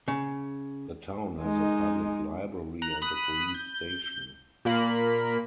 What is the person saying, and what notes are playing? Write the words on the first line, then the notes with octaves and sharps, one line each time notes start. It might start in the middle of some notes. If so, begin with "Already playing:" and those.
The town has a public library and a police station.
C#3
G#3 D#4
A#5 F#6
B5 D#6 F#6
G6
A#2 A#3 B5